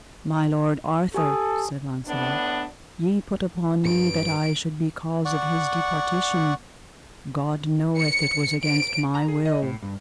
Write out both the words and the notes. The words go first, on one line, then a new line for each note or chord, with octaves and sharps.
My lord Arthur, said Launcelot, ye put upon me that I should be cause of his departition; God knoweth it was against my will.
G4 A4 G#5 D#6
A2 B3 D4
G2 D7
D5 F#5 C#6
C#7
D7
A#5
G#4
D#5
A2
G2